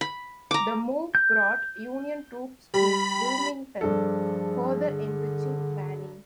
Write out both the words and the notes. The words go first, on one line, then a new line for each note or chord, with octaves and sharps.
The move brought Union troops to Wilmington, further enriching Banning.
B5
A#5 D6
G6
G3 B5
G2 F3 D4 G#4 A4
D3